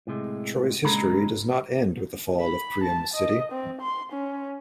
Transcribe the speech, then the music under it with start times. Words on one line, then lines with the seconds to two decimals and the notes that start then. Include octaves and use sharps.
Troy's history does not end with the fall of Priam's city.
0.07 A2 C3 G#3
0.84 A#2 C#3 G#3 D4 A#5 B5
2.41 B5
2.83 A5
3.14 D#5
3.52 C4
3.81 C6
4.12 C#4